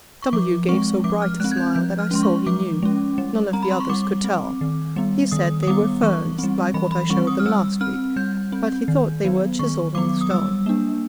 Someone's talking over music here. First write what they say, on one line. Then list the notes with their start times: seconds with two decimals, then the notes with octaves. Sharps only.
W. gave so bright a smile that I saw he knew; none of the others could tell; he said they were ferns, like what I showed them last week, but he thought they were chiselled on the stone.
0.22 C#6
0.33 F3 D6
0.69 G#3 C4 C#6
1.04 F3 D6
1.22 F6
1.40 G#3 C4 F#6
1.51 G#6
1.57 G6
1.75 F3 G6
1.99 F6
2.11 G#3 C#4 C6
2.23 C#6
2.46 F3 D6
2.82 G#3 C#4
3.18 G3
3.53 C4 A#5
3.63 B5
3.71 C6
3.80 C#6
3.89 G3 D6
4.24 C4
4.61 D#3
4.96 G3 B3
5.32 D#3 D#6
5.63 D#6
5.67 G3 B3 D6
6.03 E3 C#6
6.38 G3 C4
6.74 E3 B5
6.92 B5
7.10 G3 C4 C#6
7.27 D#6
7.39 F6
7.46 G3 E6
7.81 C4 F6
8.16 G3 G6
8.52 C4
8.88 D#3
9.24 F#3 B3
9.59 D#3 C#6
9.95 F#3 B3 D6
10.21 D#6
10.30 G3 E6
10.66 A#3 D4